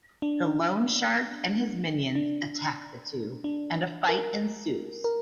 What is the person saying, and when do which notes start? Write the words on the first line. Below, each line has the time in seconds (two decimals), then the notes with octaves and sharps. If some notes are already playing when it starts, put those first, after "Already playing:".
The loan shark and his minions attack the two and a fight ensues.
0.22 D4
2.15 D4
3.44 D4
4.09 A#4
5.04 A#4